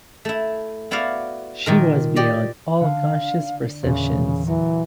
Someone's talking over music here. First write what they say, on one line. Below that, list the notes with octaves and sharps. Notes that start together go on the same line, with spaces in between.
She was beyond all conscious perceptions.
A3 E4
B3 E4 F#4 D5 F5
A#2 D#3 A#4
G4 D5 D#5
D3 F5
E2 A#2 C#3
E3 F#3